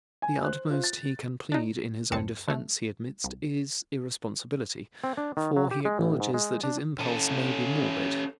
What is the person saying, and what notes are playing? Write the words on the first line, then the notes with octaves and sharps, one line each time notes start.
The utmost he can plead in his own defense, he admits, is irresponsibility, for he acknowledges that his impulse may be morbid.
G#5
C5 F#6
F4 C5
A6
D4 D#4
G1 C#2 F#2 C4 A5 C#7
D3 A3
C2
C4
D4
D#3
F#3
G4
G#3
A1
G#2
G#3
D4
C#4 A4